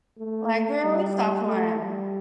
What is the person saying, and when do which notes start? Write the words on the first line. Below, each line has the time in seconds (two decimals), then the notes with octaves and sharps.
Like, "Girl, you stop playing."
0.18 A3
0.83 G3
1.48 A3
1.81 G3